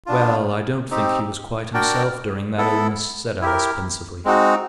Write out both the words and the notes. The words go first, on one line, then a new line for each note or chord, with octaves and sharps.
"Well, I don't think he was quite himself during that illness," said Alice, pensively.
B3 D4 F4
C4 D#4 G4
D4 F#4 A#4 D5 G5
B3 E4 A4
E4 G4 A#4
G#3 C4 D#4 F#4